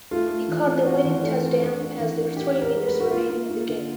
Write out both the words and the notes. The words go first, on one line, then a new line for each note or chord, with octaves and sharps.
He caught the winning touchdown pass with three minutes remaining in the game.
A3 F4
A3
E3
C4
C4 F#4
E3
A3
C4
D4
D4
E3
D4
D4 G4
D4
A#4
G#3
B4
G#3
F#4
A#3 F4
A#3
A#3
D3